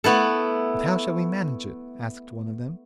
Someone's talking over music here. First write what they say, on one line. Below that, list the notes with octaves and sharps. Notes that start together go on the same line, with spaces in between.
'But how shall we manage it,' asked one of them.
A3 B3 E4 A4